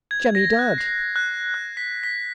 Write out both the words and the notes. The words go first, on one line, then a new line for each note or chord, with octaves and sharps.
"Jemmy Dadd."
G#6
A#6
F#6
C7
F#6
F#6
B6
B6